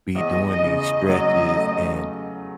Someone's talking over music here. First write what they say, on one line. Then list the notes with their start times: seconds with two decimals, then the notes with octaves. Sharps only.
be doing these stretches and
0.15 E2 D#5
0.47 D#5
0.62 C#3
0.78 D#5
1.09 F#3 D#5
1.57 A3